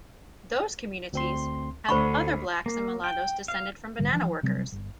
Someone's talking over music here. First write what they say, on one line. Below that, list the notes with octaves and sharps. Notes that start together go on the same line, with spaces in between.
Those communities have other blacks and mulattos descended from banana workers.
D2 C4 C6
D2 D3 C5 B5 C#6
A#3
G5
F5
A#1 G#2 D3 G3
E3 F3
C3 F#3 G3 C4
G1